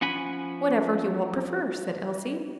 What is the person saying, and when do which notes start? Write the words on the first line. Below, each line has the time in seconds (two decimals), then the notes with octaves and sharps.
"Whatever you all prefer," said Elsie.
0.01 F3 C#4 F#5 G#5 B5